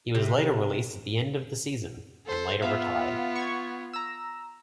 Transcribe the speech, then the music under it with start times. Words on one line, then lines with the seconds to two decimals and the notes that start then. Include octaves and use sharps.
He was later released at the end of the season and later retired.
0.15 C3
2.26 A4 C5
2.62 B3 F4 E5 F5
3.35 C#6 G#6
3.93 A#5 E6